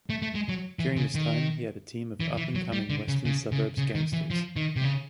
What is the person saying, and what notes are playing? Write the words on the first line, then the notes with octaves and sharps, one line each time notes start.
During this time he had a team of up-and-coming western suburbs gangsters.
A3
A3
G#3
F#3
E3
C#3
D#3
E3
E3
F#3
G3
D3
C#3
C#3
C#3
C#3
D#3
E3
F3
D#3
C3
C#3